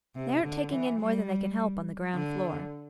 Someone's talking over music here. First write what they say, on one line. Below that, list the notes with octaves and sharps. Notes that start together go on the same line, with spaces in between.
They aren't taking in more than they can help on the ground-floor.'
C3
D3
E3
G3
D3